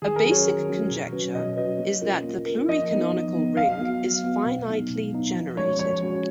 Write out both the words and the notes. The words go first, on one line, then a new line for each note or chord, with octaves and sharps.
A basic conjecture is that the pluricanonical ring is finitely generated.
D#3 G#4
A#4
F#3 C#4 F#4
C#5
D#3
F#3 C#4 F#4
B2
F#3 C#4 F#4 B4
B2 D#5
F#3 C#4 F#4 B4 D#5
A#3
C#4 F4 A#4
A#3
C#4 F4 A#4
F3 D#5
B3 D#4
F3
B3 D#4
F#3 F5
B3 F#4
F#3
B3 F#4
B2
F#3 B3 D#4
B2
F#3 B3 D#4
F3
G#3 C#4 F#4 C#5
F3 C#5
G#3 C#4 F#4